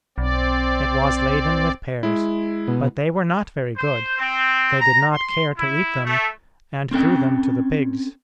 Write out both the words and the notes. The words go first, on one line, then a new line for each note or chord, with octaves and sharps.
It was laden with pears, but they were not very good; they did not care to eat them, and threw them to the pigs.
B1 C4 D5
G#3 E4
B2
C5
C4
A#5
C6
E4
A3
C4 C#4 A4 G5